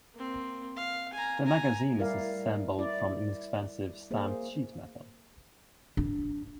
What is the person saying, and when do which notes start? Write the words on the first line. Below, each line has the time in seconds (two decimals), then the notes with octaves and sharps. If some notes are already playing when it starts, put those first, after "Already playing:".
The magazine is assembled from inexpensive stamped sheet metal.
0.14 A#3 C4
0.76 F5
1.13 G#5 A#5
1.46 G#5 A#5
1.97 G3 A3 E4 A#4 D5 F5
2.78 E4 D5
4.11 A#3 G#4 C5
5.97 D4